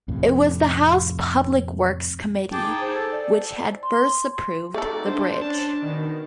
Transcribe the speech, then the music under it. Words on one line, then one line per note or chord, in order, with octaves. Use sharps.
It was the House Public Works Committee which had first approved the bridge.
F2 A2 C3
G#4 G5 A5 D6
D#4
C5
A4
D5
C6
A3 D#4 F#4 A4 D5
D4 C5
C#4 C5 A5
B2 D#3